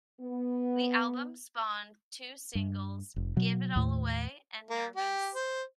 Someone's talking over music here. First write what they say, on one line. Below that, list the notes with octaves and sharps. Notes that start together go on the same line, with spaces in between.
The album spawned two singles, "Gave It All Away" and "Nervous".
B3
G2
F1
B2 F#3
D#2 A2
A#3
G4
C5